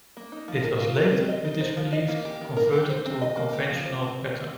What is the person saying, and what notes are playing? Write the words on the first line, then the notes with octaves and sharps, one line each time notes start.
It was later, it is believed, converted to a conventional pattern.
A#3
D#4
F3
A#4
F4
A#4
C4
D#5
D#4
C5
F3
D#5
A#3
G4
D#3
A#4
G4
C5
C4
D#5
A#3
G4
F3
C5
C4